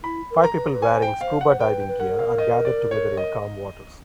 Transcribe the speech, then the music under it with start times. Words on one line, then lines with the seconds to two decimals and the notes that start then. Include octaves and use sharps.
Five people wearing scuba diving gear are gathered together in calm waters.
0.03 E4 B5
0.31 A#4
0.44 A#5
0.56 B4
0.72 B4
0.82 C5 G#5
1.02 G5
1.21 C5 F5
1.41 F#5
1.47 C5
1.60 B4 G5
1.80 G5
1.88 B4
1.99 A#4 F#5
2.19 F5
2.38 D#5
2.65 D5
2.91 C#5
3.17 D#5